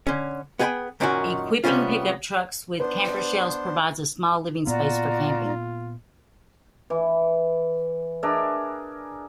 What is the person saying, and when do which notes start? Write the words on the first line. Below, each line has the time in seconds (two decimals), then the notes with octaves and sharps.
Equipping pickup trucks with camper shells provides a small living space for camping.
0.07 D3 C#4
0.59 B3 G#4 A4 F#5 G5 B5
1.00 F#2 A#2 D#3 C#4 F4 F#4
1.64 C3 G3 G#3 B3 C#4 F4
2.80 B3 D4 B4 C5
4.67 A#2 B3 F4 F#4 D5 A#5
6.90 E3
8.23 D4 G#4 A#4 E5